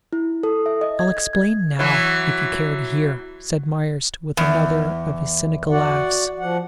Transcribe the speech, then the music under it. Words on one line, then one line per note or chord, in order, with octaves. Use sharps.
"I'll explain now, if you care to hear," said Myerst with another of his cynical laughs.
E4
A4
E5
D#5
G#6
G#6
E3 F#3
E2
F#4 D5 F#5
F3 F#5